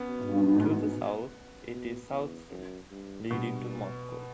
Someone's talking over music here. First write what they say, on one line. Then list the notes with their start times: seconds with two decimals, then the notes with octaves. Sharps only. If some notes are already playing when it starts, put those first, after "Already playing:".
To the south it is South Street, leading to Moscow.
Already playing: B3 C#4
0.09 B2
1.70 B2
2.11 E2
2.50 F#2
2.91 G2
3.31 G2 B2